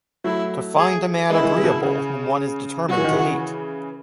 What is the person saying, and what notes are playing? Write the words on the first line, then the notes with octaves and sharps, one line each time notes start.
To find a man agreeable whom one is determined to hate!
F#3 A3 E4
G#4
G#3 B3 E4
E3 G#3
C#3 E3
B2
C#3
C#3
F#3 F#4
E3
D#3
C#3 E3